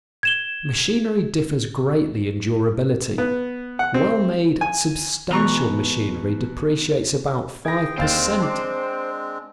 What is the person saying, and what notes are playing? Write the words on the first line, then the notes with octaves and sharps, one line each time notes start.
Machinery differs greatly in durability; well-made, substantial machinery depreciates about five per cent.
G#6 E7 G7
B3
F#5
C4
G#5
B2 E3 A#5 C#6
G#4 G5 G#6 A#6
D#2 G#3 C4 D4 C5 F5 G5 A6
A5 D6